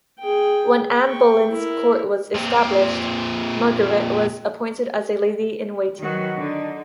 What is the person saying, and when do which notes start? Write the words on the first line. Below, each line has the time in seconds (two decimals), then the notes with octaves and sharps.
When Anne Boleyn's court was established, Margaret was appointed as a lady-in-waiting.
0.20 G#4 G5
1.02 G5 C#6
1.51 E4 A#4
2.35 A#2 C4
6.02 D#3 F#3 F#4 B4
6.37 D3 D#4